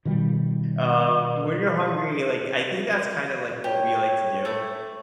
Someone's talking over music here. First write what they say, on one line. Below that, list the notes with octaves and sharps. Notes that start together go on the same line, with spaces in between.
um, when you're hungry, like, I think that's kinda like what we like to do,
B2 D#3 F3 G3
G4 C#5
A3 G6